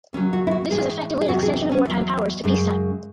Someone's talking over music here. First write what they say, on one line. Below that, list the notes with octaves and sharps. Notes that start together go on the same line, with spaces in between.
This was effectively an extension of wartime powers to peacetime.
D#2 C#3 F#3 C#4
F#4
E4
F#4
A2 E3 G#3 G#4
G#4
E2 C3 F#3 F#4
G#4
D#4
C#4
E2 D#3 F#3
F#2 C#3 G#3